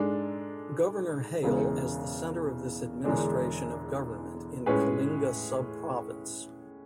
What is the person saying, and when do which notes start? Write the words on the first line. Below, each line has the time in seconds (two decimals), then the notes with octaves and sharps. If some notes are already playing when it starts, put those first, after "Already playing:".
Governor Hale as the center of this Administration of government in Kalinga sub-province.
Already playing: G#2 G#3 D4 A4
1.42 E1 E2 C#3 G#3 B3
3.04 E1 E2 D3 G#3 D4
4.66 A2 G#3 C#4 G#4 B4